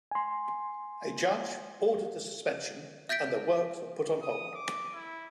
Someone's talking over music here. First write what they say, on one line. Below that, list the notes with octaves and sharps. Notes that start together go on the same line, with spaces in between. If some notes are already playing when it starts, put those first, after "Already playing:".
A judge ordered the suspension and the works were put on hold.
G#5 C6
E5 G6 A6 B6 D7
D#6
D6
E4